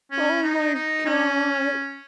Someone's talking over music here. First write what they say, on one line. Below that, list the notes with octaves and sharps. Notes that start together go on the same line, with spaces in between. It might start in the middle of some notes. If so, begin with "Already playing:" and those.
Oh, my god.
C#4
D#4
D#4
C#4